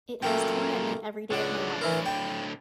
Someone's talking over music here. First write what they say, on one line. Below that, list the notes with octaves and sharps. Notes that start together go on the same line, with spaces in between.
It has torn at me every day of my life.
F#2 A#2 A3 A#3 G5
C#2 A2 D4 F#5
E3 E4 A#4
G5